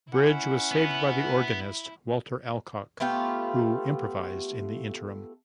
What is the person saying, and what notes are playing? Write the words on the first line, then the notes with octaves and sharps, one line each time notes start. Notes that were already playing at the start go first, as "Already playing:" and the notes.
Bridge was saved by the organist, Walter Alcock, who improvised in the interim.
C#4 E4 F#5
B3
A3 B3 F4 G4